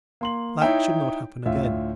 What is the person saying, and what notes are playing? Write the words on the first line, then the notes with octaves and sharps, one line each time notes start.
That should not happen again.
A#3 C6 F#7
D#4 E4 C#5 E5 G5
D2 A2 F4 E5